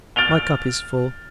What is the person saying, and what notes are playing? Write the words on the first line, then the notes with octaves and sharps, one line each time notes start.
My cup is full.
F6 A6 D7 F7 G7